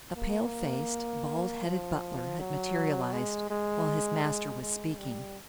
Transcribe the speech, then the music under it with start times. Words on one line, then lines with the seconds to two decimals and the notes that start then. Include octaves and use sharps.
A pale-faced, bald-headed butler had materialized while his master was speaking.
0.16 A#3
1.65 F3
2.39 F#3
3.13 G#3
3.50 G#3
4.24 G#3
4.62 G#3
4.98 G3